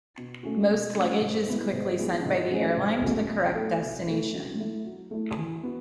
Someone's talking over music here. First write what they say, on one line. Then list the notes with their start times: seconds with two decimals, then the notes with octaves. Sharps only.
Most lost luggage is quickly sent by the airline to the correct destination.
0.18 B2
0.43 A3 C#4 F#4
0.69 B2
0.95 A3 C#4 F#4
1.21 G#2
1.47 G#3 B3 E4
1.73 G#2
1.99 G#3 B3 E4
2.26 G#2
2.51 F#3 A3 C#4 G#4
2.77 G#2
3.03 F#3 A3 C#4 G#4
3.29 B2
3.55 A3 E4 A4
3.81 B2
4.07 A3 E4 A4
4.33 F#3
4.60 A3 E4
4.85 F#3
5.11 A3 E4
5.37 E3
5.63 B3 F#4